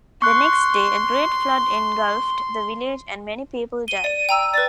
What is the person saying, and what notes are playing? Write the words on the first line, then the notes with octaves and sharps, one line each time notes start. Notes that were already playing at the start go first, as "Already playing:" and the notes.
The next day, a great flood engulfed the village and many people died.
C6 C#6 F#6
D#7 G7
D5
G5 A#5 E6
B4 D5 A6